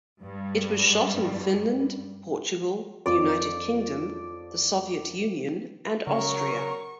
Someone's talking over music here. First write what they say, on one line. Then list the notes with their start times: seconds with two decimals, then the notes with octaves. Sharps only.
It was shot in Finland, Portugal, the United Kingdom, the Soviet Union and Austria.
0.21 G2 G3
3.06 F2 F3 D5
6.07 C#3 F#3 C#4 A#4 C#6